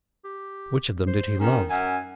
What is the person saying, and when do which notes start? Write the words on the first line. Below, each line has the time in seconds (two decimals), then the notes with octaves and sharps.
Which of them did he love?
0.24 G4
1.07 C5
1.40 D#3 C#4
1.70 F#2 G#5